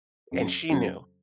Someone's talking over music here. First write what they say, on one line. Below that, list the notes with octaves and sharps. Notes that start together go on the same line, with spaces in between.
and she knew.
F2 C#3 F#3
F2 C#3 F#3